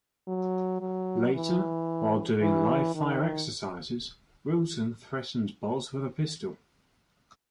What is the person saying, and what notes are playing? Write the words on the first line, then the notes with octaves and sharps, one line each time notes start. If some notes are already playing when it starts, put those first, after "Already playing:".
Later, while doing live fire exercises, Wilson threatens Bozz with a pistol.
F#3
F#3
E3
E3
D#3